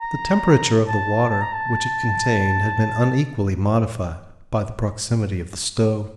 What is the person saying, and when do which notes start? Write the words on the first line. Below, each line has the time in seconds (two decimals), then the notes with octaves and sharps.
The temperature of the water which it contained had been unequally modified by the proximity of the stove.
0.01 A#5
0.87 A5
1.30 A5
1.41 A#5
1.53 A5